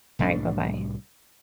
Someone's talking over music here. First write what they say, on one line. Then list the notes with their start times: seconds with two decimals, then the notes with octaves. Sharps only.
Alright, bye-bye.
0.19 C2 A2 G3 D4